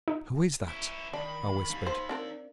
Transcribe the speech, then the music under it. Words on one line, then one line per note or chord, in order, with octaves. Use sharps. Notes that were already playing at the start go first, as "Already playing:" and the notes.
'Who is that?' I whispered.
D#4
C#4 E4
D#3 D4 B5
D#4 F5
C5
C4 D4 A#4